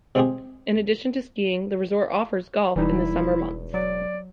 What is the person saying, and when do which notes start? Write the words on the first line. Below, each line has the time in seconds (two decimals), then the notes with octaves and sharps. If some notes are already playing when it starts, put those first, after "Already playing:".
In addition to skiing, the resort offers golf in the summer months.
0.15 C3 G#3 C4 F4 G4 G#4
2.76 E1 E3 G3 D#4 E4
3.74 F#3 D5